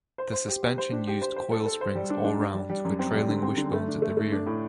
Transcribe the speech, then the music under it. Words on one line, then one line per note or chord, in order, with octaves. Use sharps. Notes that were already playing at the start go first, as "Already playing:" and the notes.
The suspension used coil springs all round with trailing wishbones at the rear.
C5
C5
G4
G4
C5
D4
G4
C5
C5
A4
A4
C5
G3
D4
D4
D4
G3
G3
F#2
C4
G3
D3
C4
D3
A3
D4
A3
A3
D4
A2